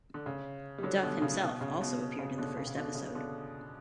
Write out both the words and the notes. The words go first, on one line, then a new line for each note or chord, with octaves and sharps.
Duff himself also appeared in the first episode.
D3
C#3
G3
D3 F#3
B2 D3
C#3
B2
C#3
B2
B2
C#3
B2 D3
C#3
C#3
B2 D3
C#3
B2 D3